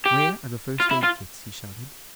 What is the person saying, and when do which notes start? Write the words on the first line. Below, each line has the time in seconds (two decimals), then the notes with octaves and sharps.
"Where are the first-aid kits?" he shouted.
0.06 G4
0.80 F4
0.91 E4
1.04 F4